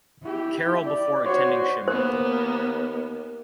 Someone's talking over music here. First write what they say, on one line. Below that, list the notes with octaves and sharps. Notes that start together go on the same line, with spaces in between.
Carroll before attending Shimer.
E4 G4
D5
F#4 C5 C#5
D#2 A#3 B3 C5